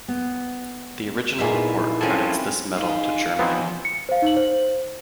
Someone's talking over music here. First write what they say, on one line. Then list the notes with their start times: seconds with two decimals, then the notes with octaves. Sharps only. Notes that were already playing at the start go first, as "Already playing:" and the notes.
The original report credits this medal to Germany.
0.08 B3
1.38 A#2 B3 D#4 E4 G#4 E5
2.01 C4 C#4 F4 A4 G#5
2.77 D#4 G#4 F5
3.39 E2 F3 B3 C4 D#4
3.85 C#7
4.09 C5 F5
4.22 D#4 F#7
4.37 C5